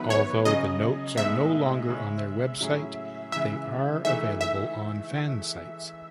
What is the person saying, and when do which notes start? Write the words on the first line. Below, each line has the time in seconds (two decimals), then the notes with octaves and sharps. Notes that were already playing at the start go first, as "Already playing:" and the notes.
Although the notes are no longer on their website, they are available on fansites.
Already playing: D#3 F#3 B3 E4 B4
0.10 C#5
0.45 C#3 F#3 C#4 D#5
1.17 A2 G#3 B3 D#4 E5
1.88 C#3 G#3 C#4
2.60 A2 F#3 C#4 E4 G#4
3.32 C#3 E3 G#3 E5
4.04 E3 A3 D#4 G#4 E5
4.41 E5